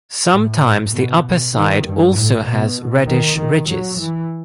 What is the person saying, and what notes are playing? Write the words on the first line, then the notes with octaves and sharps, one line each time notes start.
Sometimes the upper side also has reddish ridges.
A2
B2
D#3
G2
A2
B2
D#3
D#3
F#3
E3